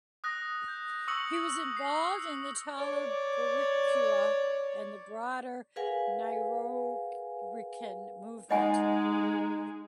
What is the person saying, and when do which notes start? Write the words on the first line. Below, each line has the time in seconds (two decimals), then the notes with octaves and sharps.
He was involved in the Taller Boricua and the broader Nuyorican movement.
0.24 D#6 F#6 A#6
0.68 G6
1.08 C#6 D#6 E6 C#7 F#7
1.73 D#6 C7
2.20 E6
2.75 C#5 D5
5.76 G#4 A#4 B4 F5 F#5 G#5
8.51 G#3 D#4 D#5 F#5 G#5